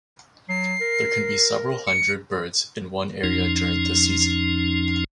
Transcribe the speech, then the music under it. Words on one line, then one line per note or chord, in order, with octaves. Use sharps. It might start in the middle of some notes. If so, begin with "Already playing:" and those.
There can be several hundred birds in one area during this season.
F#3 C7
A#4
C#7
F2 F3 C#4 D#4